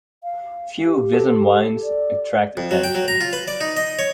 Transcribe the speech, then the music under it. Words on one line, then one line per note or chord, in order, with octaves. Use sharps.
Few Visan wines attract attention.
F5
G4
A4
D5
F2
F#3
G5
F#3
A#5
F4
B4
D5
D#4
D#5
C#5